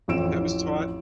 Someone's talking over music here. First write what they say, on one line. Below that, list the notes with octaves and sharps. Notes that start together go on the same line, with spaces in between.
that was taught.
A1 F2 E3 E6 D7 E7